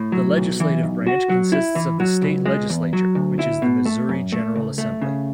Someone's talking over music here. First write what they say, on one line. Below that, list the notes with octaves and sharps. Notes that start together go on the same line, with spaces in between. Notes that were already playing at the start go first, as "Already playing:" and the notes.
The legislative branch consists of the state legislature, which is the Missouri General Assembly.
Already playing: A2
F#3
B1
E3
B1
F#4
F#3
E4
E3
F#3
C#2
G#3
E2
F#3
D2
E4
B2
A3
F#2
A3
C#2
A3
C#3